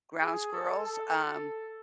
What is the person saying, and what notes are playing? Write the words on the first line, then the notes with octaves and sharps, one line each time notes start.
Ground squirrels, um,
G#4
A4
A4